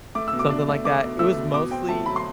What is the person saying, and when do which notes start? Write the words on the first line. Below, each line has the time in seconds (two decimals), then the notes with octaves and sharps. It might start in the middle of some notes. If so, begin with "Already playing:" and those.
something like that, it was mostly
0.15 A3 D6
0.28 B2 E6
0.39 D6
0.50 D4
0.68 A3
0.85 A3 D6
1.03 B2
1.19 A3 E6
1.37 B2
1.54 B2 D6
1.71 C4 G5
1.89 A3 A5
2.06 F#3 B5
2.16 C6